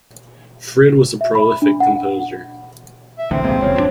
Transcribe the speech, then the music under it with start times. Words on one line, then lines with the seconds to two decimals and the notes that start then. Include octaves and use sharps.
Frid was a prolific composer.
1.21 E5
1.35 B5
1.62 D4
1.80 F#5
3.18 E5
3.31 A#1 E2 A2 D3 C4
3.44 C#2 C3 G#3 A#3 F4
3.61 F1 E2 C#3 F3 C#5
3.76 G#1 D#3 F3 D4